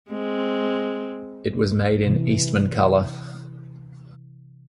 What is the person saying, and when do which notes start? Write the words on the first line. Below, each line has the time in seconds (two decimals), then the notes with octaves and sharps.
It was made in Eastmancolor.
0.10 G#3 C4
2.05 C3 E3